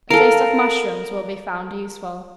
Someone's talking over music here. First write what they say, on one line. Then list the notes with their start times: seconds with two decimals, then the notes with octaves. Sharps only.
A taste of mushrooms will be found useful.
0.10 A4 A#4 F5